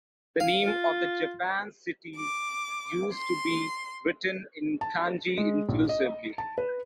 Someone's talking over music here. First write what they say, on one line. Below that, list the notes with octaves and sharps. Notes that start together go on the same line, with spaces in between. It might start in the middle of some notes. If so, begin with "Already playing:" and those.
The names of Japan's cities used to be written in Kanji exclusively.
F5
F4
D6
C6
A5
G#3
A#1
D#5
A5
B4